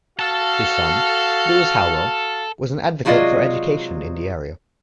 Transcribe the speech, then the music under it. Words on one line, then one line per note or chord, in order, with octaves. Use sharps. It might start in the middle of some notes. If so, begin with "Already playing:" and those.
His son, Lewis Howell, was an advocate for education in the area.
F#4 A4 F5 A5
C3 F#3 G#3 F4 D5 D#5